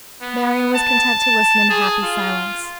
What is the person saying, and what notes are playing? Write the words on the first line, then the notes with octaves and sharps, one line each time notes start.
Marian was content to listen in happy silence.
B3
A5
G#4
F4